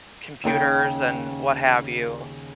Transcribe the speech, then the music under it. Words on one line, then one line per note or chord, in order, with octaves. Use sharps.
computers and what have you,
D#2 C#3 A#4 G5